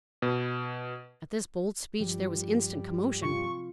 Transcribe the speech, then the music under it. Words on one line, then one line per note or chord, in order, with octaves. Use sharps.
At this bold speech there was instant commotion.
B2
G2 F3 G3
C3 F4 C#6